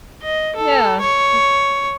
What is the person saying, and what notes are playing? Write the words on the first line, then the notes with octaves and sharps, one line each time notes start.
yeah, y
D#5
A4
C#5